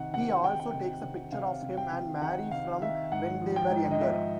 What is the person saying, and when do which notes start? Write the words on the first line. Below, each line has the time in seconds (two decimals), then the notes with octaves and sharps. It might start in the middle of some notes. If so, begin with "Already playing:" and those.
He also takes a picture of him and Marie from when they were younger.
Already playing: C3 D#3 F#5
0.13 C3 F#5
0.43 D#3 G5
0.60 G5
0.73 C3
1.03 C3
1.32 C3 F5
1.62 C3
1.77 G5
1.92 C3
2.22 D#3 F#5
2.51 C3 F5
2.82 D#3 E5
3.12 G#2 F#5
3.42 F3
3.56 G5
3.70 G#2
3.91 D#5
4.01 F3 E5